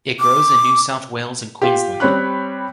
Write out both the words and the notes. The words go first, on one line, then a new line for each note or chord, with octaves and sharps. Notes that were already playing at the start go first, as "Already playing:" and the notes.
It grows in New South Wales and Queensland.
D6
F4 G4
G3 C4 C#5 B5 F#6